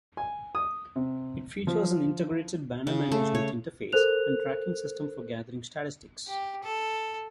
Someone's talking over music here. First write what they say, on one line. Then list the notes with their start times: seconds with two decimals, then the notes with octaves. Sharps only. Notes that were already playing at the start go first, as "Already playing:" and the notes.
It features an integrated banner management interface and tracking system for gathering statistics.
0.17 G#5
0.55 D#6
0.96 C3
1.67 F3
2.87 C#3
3.12 A3
3.35 C#5
3.93 A4 A#4 C5 F#6 F7
6.27 G4
6.63 A4